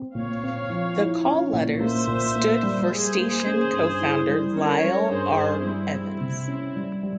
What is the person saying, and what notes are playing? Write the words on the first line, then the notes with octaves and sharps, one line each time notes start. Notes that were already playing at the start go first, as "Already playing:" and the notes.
The call letters stood for station co-founder Lyle R. Evans.
Already playing: C4
A#2 C#5 F5
C4
F3
E4
C#4
A#2
A#3 C5 E5
A#2
A#3
G3
G3 G#4 C5
A#3
C#4
G2
E4
G3
C#4 A#4 C#5
G3
G2 G#4 C5
G2
G3 C4 E4
G3
C3
C#4
G3
G3